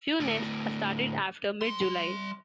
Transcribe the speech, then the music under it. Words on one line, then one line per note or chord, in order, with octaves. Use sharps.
Few nests are started after mid-July.
D2 A2
G3 C6